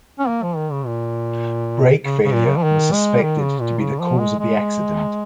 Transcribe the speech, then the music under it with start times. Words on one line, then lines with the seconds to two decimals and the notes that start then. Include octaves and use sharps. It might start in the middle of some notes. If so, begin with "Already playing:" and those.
Brake failure was suspected to be the cause of the accident.
0.19 C#4
0.28 A#3
0.43 F3
0.56 D#3
0.72 C#3
0.86 A#2
2.04 C#3
2.25 C#3
2.33 A#2
2.48 C#3
2.57 F3
2.63 D#3
2.92 G#3
3.22 D#3
3.41 C#3
3.61 A#2
3.80 C#3
3.99 F3
4.20 G#3
4.39 G#3